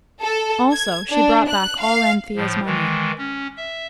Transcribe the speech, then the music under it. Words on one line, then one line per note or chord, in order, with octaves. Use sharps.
Also she brought back all Anthea's money.
A4
G#6
D4
F#6
F5
A2 F3
D#3 E3 G#3
C#4
E5